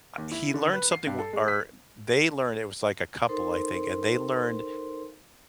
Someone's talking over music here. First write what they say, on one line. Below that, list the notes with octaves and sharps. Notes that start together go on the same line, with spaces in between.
uh, he learned something w or they learned it was, like, a couple, I think, and they learned
D#2
E4
D3
B4
C7
G2
A4
G#3
B6
D#4 A4 A#4 C5 C6